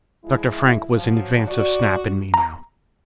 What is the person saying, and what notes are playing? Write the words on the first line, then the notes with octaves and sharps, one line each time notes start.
Dr. Frank was in advance of Snap and me now.
F3 G#3 E4
F3 F#3
F#4 D5
A#5